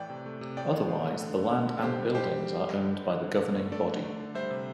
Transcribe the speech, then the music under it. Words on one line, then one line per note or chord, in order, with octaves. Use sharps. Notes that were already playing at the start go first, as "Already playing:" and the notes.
Otherwise the land and buildings are owned by the governing body.
Already playing: A2 E3 D5 G5
C3
A3
C3
A2 D5 G5
A2
A2
A3
D3
D3
D3
D3
A4
D3 G4 C5
G3
G3 G4 C5
G3
G3
G3
D3
G3
D3
D3
D3
A3
A3 A4 D5
D3
A3
D3
G3 C5 E5
C3